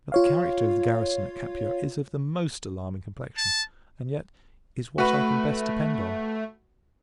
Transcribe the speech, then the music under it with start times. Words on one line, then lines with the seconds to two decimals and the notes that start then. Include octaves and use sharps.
But the character of the Garrison at Capua is of the most alarming complexion; and, yet, is what I can best depend on.
0.12 F4 C#5 F5
3.38 A5
4.98 A3 F#4 B4